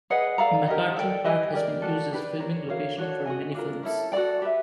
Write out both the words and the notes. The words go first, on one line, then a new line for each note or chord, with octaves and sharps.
MacArthur Park has been used as a filming location for many films.
G#4 B4 D#5 F#5
A4 D5 F5 A#5
G4 A#4 D#5 F#5
A4 D5 G5
G4 B4 D#5 G#5
G4 A#4 D5
D4 F#4 A4
D4 G4 B4 D5
D4 G4 A#4 C#5
F#4 A#4 C#5 F5
D4 F#4 A4 C#5
F#4 A#4 D#5 G#5
D4 F4 A#4
C#4 E4 A4
F#4 A4 D5 G5
G4 B4 E5